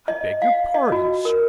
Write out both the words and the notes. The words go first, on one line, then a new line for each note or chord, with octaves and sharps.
I beg your pardon, Sir.
D#5
F5
D#5
F#4
A#4